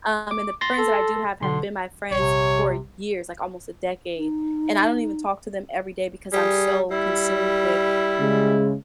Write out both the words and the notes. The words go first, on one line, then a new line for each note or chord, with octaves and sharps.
um, and the friends that I do have, have been my friends for years, like, almost a decade, and I don't even talk to them everyday, because I'm so consumed with
D6
C6 A6 A#6
A4
B1 D3 C6
A#1 C3 G3 C#5
D#4
G3 G#4
G3 E4
C#3 G#3